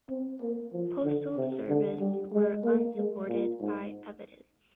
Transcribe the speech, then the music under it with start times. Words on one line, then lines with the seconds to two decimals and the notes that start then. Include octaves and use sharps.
Postal Service were unsupported by evidence.
0.09 C4
0.41 A#3
0.73 F3
1.04 D3
1.37 C3
1.68 D3
2.00 G3
2.33 G#3
2.64 A#3
2.96 G#3
3.28 A#2
3.60 G#2